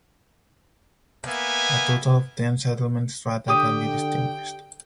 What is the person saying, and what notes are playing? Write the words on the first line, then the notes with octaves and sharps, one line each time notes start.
A total of ten settlement strata can be distinguished.
A#3 B3 E5 G#5
D3 G4 G5 D6 D#6